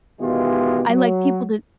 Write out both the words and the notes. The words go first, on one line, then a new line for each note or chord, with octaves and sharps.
I like people to
B2 D#3 E3 G#3 F4 G4
F#3